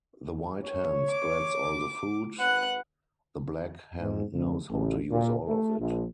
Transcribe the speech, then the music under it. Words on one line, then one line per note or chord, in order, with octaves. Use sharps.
The white hen spreads all the food, the black hen knows how to use all of it.
C#5
D6
G#1 B4 F#5 F#6
G#2
F2
A1
A#2
A3
A#1